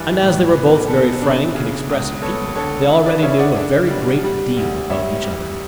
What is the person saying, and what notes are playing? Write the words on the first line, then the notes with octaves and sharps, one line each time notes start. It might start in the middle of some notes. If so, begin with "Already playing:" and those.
And as they were both very frank and expressive people, they already knew a very great deal about each other.
Already playing: G2 E3 B4 D5
A2
B3
B2 A4
D4
C#3
C#2
B3 A4 C#5
D3 A4 C#5
E4
B4 D5
C#3 C#5 E5
D5 F#5
D4
G3
G3
D2
G3 C#5 E5
G3